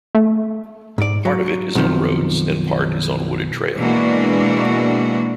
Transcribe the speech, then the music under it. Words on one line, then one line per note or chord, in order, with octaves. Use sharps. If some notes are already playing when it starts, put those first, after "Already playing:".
Part of it is on roads and part is on wooded trail.
A3
G#2 D5
F#3
B1 F#2 C3 D#3 F3
B2 E3 G#3 A#3 D4 F#4